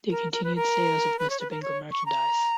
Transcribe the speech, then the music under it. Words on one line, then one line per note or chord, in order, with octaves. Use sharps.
They continued sales of Mr. Bingle merchandise.
A#4
A#4
B4
A#4
B4
C#5
B4
A#4
C#5
C#6
A#5